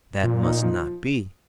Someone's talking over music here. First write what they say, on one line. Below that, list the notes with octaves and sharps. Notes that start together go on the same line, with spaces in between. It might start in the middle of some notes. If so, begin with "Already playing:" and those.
That must not be!
A#2 F3
D#4
F3